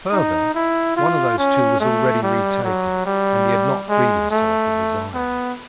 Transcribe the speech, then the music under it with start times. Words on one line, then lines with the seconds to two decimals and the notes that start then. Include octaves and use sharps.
Further, one of those two was already retaken, and had not freed himself of his iron.
0.12 D#4
0.55 E4
0.96 F4
1.38 C#4
1.80 A3
2.22 G3
2.64 F#3
3.06 G3
3.89 G#3
4.31 A3
5.14 B3